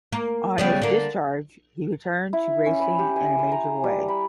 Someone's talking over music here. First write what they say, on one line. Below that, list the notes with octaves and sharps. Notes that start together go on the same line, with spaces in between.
On his discharge, he returned to racing in a major way.
A#3
C#3 G3 B3
D3 A#3
E4
C#4
B5
G4
G#5
C6
A#5
G3
B5